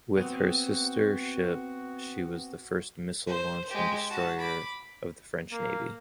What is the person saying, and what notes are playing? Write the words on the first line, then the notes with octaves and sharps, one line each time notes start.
With her sister-ship, she was the first missile-launching destroyer of the French Navy.
B3 C4 F#4
C5
G#3 G4
F#4 A5
B5 D6
A#3